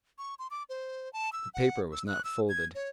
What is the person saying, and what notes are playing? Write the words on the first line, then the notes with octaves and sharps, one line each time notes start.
The paper was not folded.
C#6
C6
D6
C5
A5
E6
F#5
E6
F#6
E6
G#6
C#5